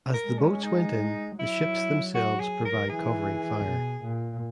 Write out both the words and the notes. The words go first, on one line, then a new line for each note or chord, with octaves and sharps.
As the boats went in the ships themselves provide covering fire.
A#4
G#3
C#4
D#4
F#3 E4
F#4
G#4
A#4
E3 G#4
B2
A#2